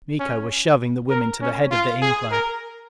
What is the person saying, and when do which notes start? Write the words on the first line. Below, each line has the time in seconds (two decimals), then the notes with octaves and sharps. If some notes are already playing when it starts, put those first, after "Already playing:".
Miko was shoving the women to the head of the incline.
0.19 C#4
1.10 A#4
1.41 C#4
1.71 F4
2.02 G#4
2.32 A#4